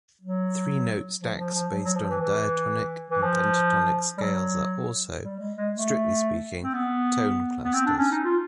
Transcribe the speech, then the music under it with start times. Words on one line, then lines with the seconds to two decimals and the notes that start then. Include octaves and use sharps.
Three-note stacks based on diatonic and pentatonic scales are also, strictly speaking, tone clusters.
0.21 F#3
1.21 F3
1.39 F3
1.54 F3
1.71 F#3
1.84 F#3
1.96 F3
2.09 E3
2.21 E3
3.10 E3
3.22 F3
4.18 G3
4.22 F#3
5.24 G3
5.40 G#3
5.57 G#3
5.74 A3
6.63 C4
6.74 B3
7.65 B3
7.74 C4
7.86 D4
7.99 C#4
8.11 D#4
8.24 F4